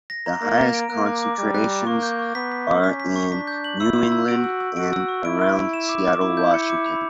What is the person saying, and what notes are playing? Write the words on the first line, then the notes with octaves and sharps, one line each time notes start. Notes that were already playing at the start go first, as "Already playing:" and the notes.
The highest concentrations are in New England and around Seattle, Washington.
A#6
A#5
A#3 A#6
A#5
D7
A#3 F#6
D6
D6
G3 D6
F#6
D6
A#3 C#6
G6
C#6
B3 B6
B6
C#6
C#4 B6
B6
C#6
D4 B6
G6
F#7
E4 E6
E6
E6
F#4 D7
E6
E6
F#4 D7
E6
C#6
E4 D7
C#6
D7
E7
D6
D6
E4 D6
G6
C#7
D6
B5